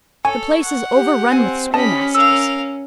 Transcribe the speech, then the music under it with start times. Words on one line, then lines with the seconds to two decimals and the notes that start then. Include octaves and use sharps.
The place is overrun with schoolmasters.
0.25 A4 C#5 G#5
0.63 F#5
0.94 G4
1.32 C4 G#5
1.74 C#4 G4 D#5 A5 B5
2.15 A#4 F5 E6